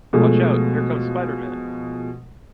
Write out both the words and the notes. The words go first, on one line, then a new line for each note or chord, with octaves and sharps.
Watch out, here comes Spider Man!
B2 F3 G#3 A3